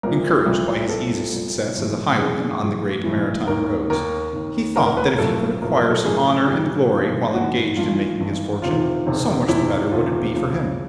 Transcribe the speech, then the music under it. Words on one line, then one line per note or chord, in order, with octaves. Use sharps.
Encouraged by his easy success as a highwayman on the great maritime roads, he thought that if he could acquire some honour and glory while engaged in making his fortune, so much the better would it be for him.
C2 A#2 F3 A#4
C2 A#2 F3
C2 A#2 F3 A4
C2 A#2 F3
B1 A2 E3
B1 A2 E3 G#4
B1 A2 E3
B1 A2 E3
D#2 D#3 A#4
D#2 D#3 A#4
D#2 D#3
D#2 D#3 A#4
A#4
B4
A#4
B1 A2 F3 A4
B1 A2 F3 A#4
A#4
A4
B1 A2 F3 G#4
B1 A2 F3 G4
G#1 G2 E3
G#1 G2 E3 F#4
G#1 G2 E3 F4
G#1 G2 E3
E1 E2 C3 D#3 F4
E1 E2 C3 D#3
E1 E2 C3 D#3 E4
E1 E2 C3 D#3 F4
D2 C#3 F3